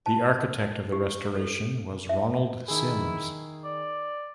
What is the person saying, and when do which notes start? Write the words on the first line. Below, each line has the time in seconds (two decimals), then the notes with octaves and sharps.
The architect of the restoration was Ronald Sims.
0.06 A5
0.92 G4
1.36 A4
2.09 E5
2.68 D#3 E4 G#4
3.64 D5